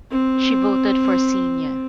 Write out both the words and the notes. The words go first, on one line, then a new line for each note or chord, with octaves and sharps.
She voted for Xenia.
C4